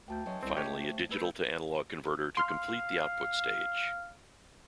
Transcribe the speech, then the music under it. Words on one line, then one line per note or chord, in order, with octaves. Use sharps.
Finally a digital-to-analog converter to complete the output stage.
D2 A#3 G5 A5 G6
E3 F#3 G#3 C#4
C2 C4
G#3 A3 G4 C#5
F3
A3 G#4 A4 B4 E6 G6
F5 C6 F6